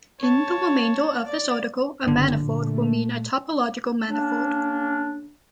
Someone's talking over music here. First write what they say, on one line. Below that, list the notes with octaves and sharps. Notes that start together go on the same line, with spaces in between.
In the remainder of this article a "manifold" will mean a topological manifold.
C#5 A5
D5
F#1 D3
A#2 A3
C#3 A#3 C#4 D4